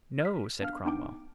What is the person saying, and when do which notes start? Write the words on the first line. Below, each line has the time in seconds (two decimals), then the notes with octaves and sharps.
"No," said Cromwell.
0.21 F6 B6
0.61 B3 D4 F5 F6
0.85 B3 D4 D#4 G5 D6 D7